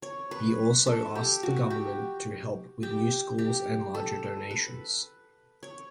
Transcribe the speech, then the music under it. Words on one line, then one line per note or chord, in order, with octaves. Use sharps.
He also asked the government to help with new schools and larger donations.
C#5
B4
A4
G4
F#4
G4
G4
G4
A4
B4
C#5